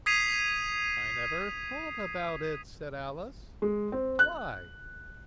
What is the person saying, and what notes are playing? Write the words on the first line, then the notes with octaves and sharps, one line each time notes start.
'I never thought about it,' said Alice. 'Why?'
D#6 G#6 B6 C7 D#7 F7
G#3
C4
F#6